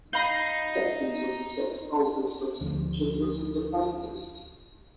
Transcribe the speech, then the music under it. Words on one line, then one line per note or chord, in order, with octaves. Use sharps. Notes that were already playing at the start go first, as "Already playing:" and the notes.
Bessie was the second oldest of seven children in the family.
D#4 F5 B5 G6 A#6 C7
D2 D3 F3